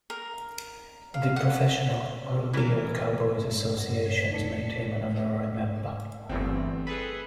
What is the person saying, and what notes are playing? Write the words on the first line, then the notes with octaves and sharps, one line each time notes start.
The Professional Rodeo Cowboys Associations made him an honorary member.
A#4
F5
F#5
E3 A#4
G#2 G#3 A3
G2 F#5 A#6
G2 C#5 G#6
F2 D#4 D5 A5 C#7
D#3 D5 B6 C7
G1 E2 A3 C4
G#4 A4 B4 B6